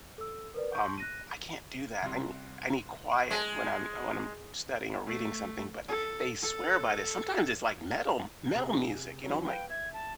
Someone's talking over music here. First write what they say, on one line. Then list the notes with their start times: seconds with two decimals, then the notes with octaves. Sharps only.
Um, I can't do that, I nee I need quiet when I'm when I'm studying or reading something, but they swear by this. Sometimes it's like metal m metal music, you know, like,
0.18 A4 E6
0.54 A#4 B4 D5
0.73 C6 C#6 G6
0.98 F#6 A#6 D#7
2.02 C2 C3
3.31 G#3 G#4 G#5 A5
5.06 A3
5.88 A4
6.42 A4
8.55 C3 G#4
9.24 E3 F#3 C#4
9.45 B4 F5 G5
9.70 E5 G#6
9.93 A5